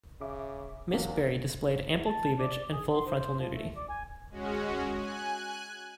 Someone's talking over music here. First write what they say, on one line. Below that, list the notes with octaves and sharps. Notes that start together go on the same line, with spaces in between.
Miss Barrey displayed ample cleavage and full frontal nudity.
C#3 E5 D6
E2 G#2 F#3 A#3
E2
A5
D5
G#4
C6
C5
F3
A3
D5
G#5
G#3 C#4 F#4
G#5 F#6